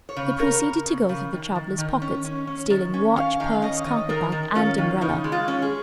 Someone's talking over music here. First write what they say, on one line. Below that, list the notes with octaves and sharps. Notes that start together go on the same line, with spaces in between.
They proceeded to go through the traveller's pockets, stealing watch, purse, carpet-bag, and umbrella.
C#5
C#3
C#3 A#4
C#3
C#3
C#3
D#3
D#3
D#3
C#4
C#4
C#4
D#3
C#4
C#4 F5
D#3 F5
C#4 D#5
D#3 D#5
D#3 A#4
D#3
C#4 F4
D#3
C#3 D#4
G#3
F4
C#4
G#4